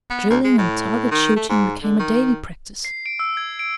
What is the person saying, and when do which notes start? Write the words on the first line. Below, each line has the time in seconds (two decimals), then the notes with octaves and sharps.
Drilling and target-shooting became a daily practice.
0.10 B3
0.30 D2
0.44 G#3
0.58 A2
1.11 D#3
1.36 A3
1.49 G#2
1.83 D3
1.99 D#3
2.85 C7
3.06 D7
3.19 E6
3.37 G#6
3.59 D7